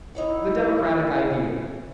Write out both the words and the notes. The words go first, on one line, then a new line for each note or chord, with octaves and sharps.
The Democratic Ideal.
D#4 E4 C#5 F#5